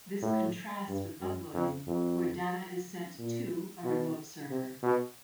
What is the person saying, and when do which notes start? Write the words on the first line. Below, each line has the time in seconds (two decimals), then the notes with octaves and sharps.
This contrasts with uploading, where data is sent "to" a remote server.
0.22 A2
0.88 G2
1.21 F#2
1.54 F2
1.87 F2
3.19 A#2
3.84 B2
4.50 C3
4.83 B2